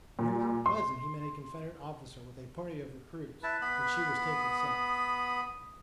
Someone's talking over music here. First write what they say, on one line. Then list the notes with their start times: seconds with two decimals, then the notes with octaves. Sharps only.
Near Mount Pleasant he met a Confederate officer with a party of recruits which he was taking south.
0.19 A#2
0.66 C6
3.43 E4 B4 A5
3.61 B3 B5
4.33 D#6